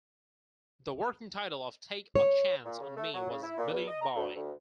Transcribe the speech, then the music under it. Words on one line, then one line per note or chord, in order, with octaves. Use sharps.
The working title of "Take a Chance on Me" was "Billy Boy".
C#5
A#2
C#3
A3
F#3
C#3
E4
A#2
E2
D#5
A#5
D2
D2